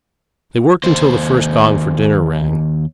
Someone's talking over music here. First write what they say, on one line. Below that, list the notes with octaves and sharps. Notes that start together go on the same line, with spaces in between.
They worked until the first gong for dinner rang.
D#2 C5